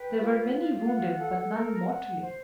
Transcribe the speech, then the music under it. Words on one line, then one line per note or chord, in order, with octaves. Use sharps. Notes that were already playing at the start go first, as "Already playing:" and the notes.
There were many wounded, but none mortally.
Already playing: B4 G5
F4
F4
F#5
A4
A#4
F#5
C5